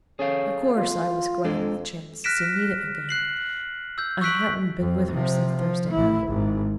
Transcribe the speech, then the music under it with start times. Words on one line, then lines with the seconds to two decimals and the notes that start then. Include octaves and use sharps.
Of course I was glad of the chance to see Nita again--I hadn't been with her since Thursday night.
0.19 C#4 G#4 A4 F5
0.77 F4
1.45 F2 G#3 D4 A4
2.24 F6 F#6 A#6 B6 D7 E7
3.09 F#6 C7 F#7
3.98 E6 G6
4.21 C#6 E6 F#6 B6 D7 F#7
4.81 F2
5.12 C3 F3
5.56 F3
5.91 A1 E4
6.27 G#1 G#2